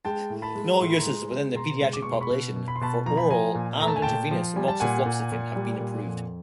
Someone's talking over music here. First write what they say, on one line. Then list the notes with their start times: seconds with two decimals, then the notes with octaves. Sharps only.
No uses within the pediatric population for oral and intravenous moxifloxacin have been approved.
0.05 G#3 G5 A5
0.30 A2
0.42 A5 B5
0.55 G#3
0.80 A2 C6
0.90 B5
0.98 A#5 C6
1.06 G#3
1.30 G#3
1.55 B2 A#5 C6
1.81 G#3
1.93 D6
2.02 B2 C#6
2.11 C6
2.21 B5 C#6
2.31 B2
2.56 B2
2.68 B5
2.76 C6
2.81 B2 A5 B5
3.06 F3 A#5
3.17 B5
3.30 F3 G#5 A#5
3.55 A#2
3.80 A3 A#5
3.88 A5
3.96 G#5
4.02 A#2 G5 A5
4.31 F3
4.56 G3 G#5
4.68 A5
4.80 A#2 F#5 G#5
5.06 A#2
5.32 A#2
5.56 G3
5.81 A#2
6.06 F2